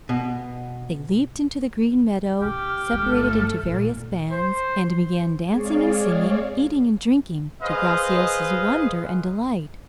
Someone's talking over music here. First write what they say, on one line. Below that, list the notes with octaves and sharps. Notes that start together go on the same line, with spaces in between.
They leaped into the green meadow, separated into various bands, and began dancing and singing, eating and drinking, to Graciosa's wonder and delight.
B2
B1 C#4 G4 F6
G1 G#3 A3 A4
A#2 D#3
C5
G#3 C4 G#4 C#5 D5 F5
G#4 B4 C5 D#5 F5